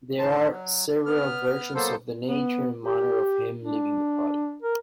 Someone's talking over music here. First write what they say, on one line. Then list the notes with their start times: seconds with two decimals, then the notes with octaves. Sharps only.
There are several versions of the nature and manner of him leaving the party.
0.19 A2 D#3 C5 A5
0.50 F#3
1.06 B3 F6
1.75 F#3 A#3 B3 A4 C5
2.28 B3
2.85 G4
3.64 D4
4.62 A#4